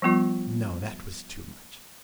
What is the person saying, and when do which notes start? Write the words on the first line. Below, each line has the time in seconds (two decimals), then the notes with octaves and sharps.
No, that was too much!
0.02 F3 G3 B3 F4